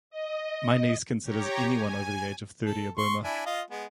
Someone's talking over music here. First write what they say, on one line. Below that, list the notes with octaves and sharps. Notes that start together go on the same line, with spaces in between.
My niece considers anyone over the age of thirty a Boomer.
D#5
G4 C#5 A#5
G#5
A4
C6 C#6
D4 E4 G#5
F4 D#5 F5
G#3 B3